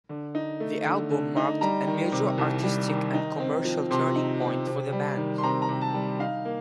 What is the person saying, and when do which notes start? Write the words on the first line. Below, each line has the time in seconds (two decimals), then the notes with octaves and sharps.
The album marked a major artistic and commercial turning point for the band.
0.09 D3
0.35 D#4
0.60 A3
0.85 D3
1.10 D3
1.36 D#4
1.61 G3 A#5
1.87 D#3
2.12 C3
2.38 C2
2.63 G3
2.89 D#3
3.14 D#4
3.40 C4
3.65 F3
3.91 C3 C6
4.16 D#4
4.41 C4
4.67 C3
4.92 G3
5.17 D#3
5.38 C6
5.43 C3 A#5
5.62 A#5
5.69 C3
5.81 A5
5.94 G3
6.20 D#4 F5
6.45 A#3